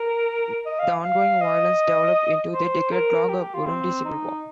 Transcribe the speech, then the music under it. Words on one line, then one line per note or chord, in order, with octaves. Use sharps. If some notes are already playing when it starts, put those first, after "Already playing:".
The ongoing violence developed into the decade-long Burundi Civil War.
Already playing: A#4
D#5
F5
F5
D#5
C5
A#4
G4
G4
F4
C4
D#4